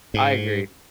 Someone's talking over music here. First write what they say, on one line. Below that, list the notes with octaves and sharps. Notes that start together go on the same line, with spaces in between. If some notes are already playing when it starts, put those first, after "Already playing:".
I agree.
G#2